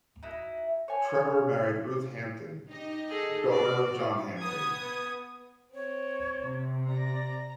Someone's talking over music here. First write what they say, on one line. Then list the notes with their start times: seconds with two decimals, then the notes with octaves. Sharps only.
Trevor married Ruth Hampden, daughter of John Hampden.
0.23 D#4 E4 F#4
0.88 C#5 G#5
2.69 D#4 G4 D#5
3.09 G#4 A4
3.50 B2 F#4 D5
4.40 B3 D#6 G#6
5.74 C4 C#5
6.42 C3
6.88 D5 A#5 A#6